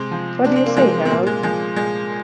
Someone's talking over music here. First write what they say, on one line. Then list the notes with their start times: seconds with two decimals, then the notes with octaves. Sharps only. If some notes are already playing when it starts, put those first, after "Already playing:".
What do you say, Harold?
Already playing: C3 G#3 C4
0.11 F3
0.44 C3 D4
0.56 C4
0.66 A#3
0.77 F3 G#3 C4
1.05 C4
1.10 A#2 A#3
1.27 G#3
1.43 F3 G#3
1.76 A#2 G#3